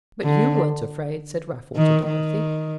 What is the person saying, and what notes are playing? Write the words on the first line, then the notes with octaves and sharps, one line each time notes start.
"But you weren't afraid," said Raffle to Dorothy.
D3
D#3
D#3